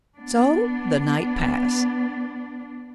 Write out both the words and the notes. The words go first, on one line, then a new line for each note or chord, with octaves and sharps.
So the night passed.
B3 D4